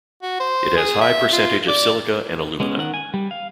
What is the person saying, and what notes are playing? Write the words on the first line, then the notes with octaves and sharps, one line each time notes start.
It has high percentage of silica and alumina.
F#4
C5
G#4
E5
F4
D5
G#3 B3 C#4
D#3 F#5
G#5
G3
F5